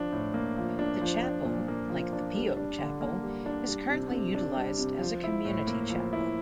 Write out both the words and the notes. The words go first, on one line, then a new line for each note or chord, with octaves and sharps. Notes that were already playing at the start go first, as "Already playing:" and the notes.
The chapel, like the Pio chapel, is currently utilized as a community chapel.
Already playing: F3 D4
A2
A#3
F3
D4
F3
D4
A#2
A#3
F3
D4
G3
D4
D3
A#3
G3
D4
G3
C3
C3
D4
G3
C3
F3
E4
A2
A#3
F3
E4